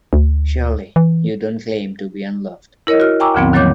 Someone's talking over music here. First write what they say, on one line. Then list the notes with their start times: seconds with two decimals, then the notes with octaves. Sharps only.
Surely you don't claim to be unloved!
0.13 D2
0.96 E3
2.87 E4 A#4 C#5 D#5
3.00 F#4 F6
3.20 G5 G#5 A#5 C#6 D6 E6
3.34 D#2 G#2 D3 F3 B3 C4
3.53 D#3 F#3 A#3 C#5 D6 G6